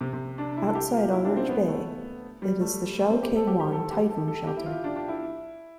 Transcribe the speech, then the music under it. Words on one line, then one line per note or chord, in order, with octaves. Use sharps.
Outside Aldrich Bay, it is the Shau Kei Wan Typhoon Shelter.
C3
C3
D4
E4
A4
G4
F4
E4
D4
C4
B3
A3
G3
A3
A3
C4
G4
A4
G4
G4
A4
G4
A4
A4
G4
E4
F4
D4
D4
E4